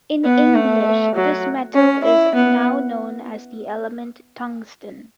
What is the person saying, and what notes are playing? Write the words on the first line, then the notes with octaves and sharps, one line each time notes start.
In English, this metal is now known as the element tungsten.
B3
A3
F#3
C#4
E4
B3